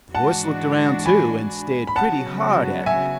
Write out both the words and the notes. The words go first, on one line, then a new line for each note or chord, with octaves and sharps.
The horse looked around, too, and stared pretty hard at me.
G#2 E3 G#3 D4 F#4 F#5 A5
G#5 B5
B5
C#3 F#3 B3 F#4 F#5 A5
E5 G#5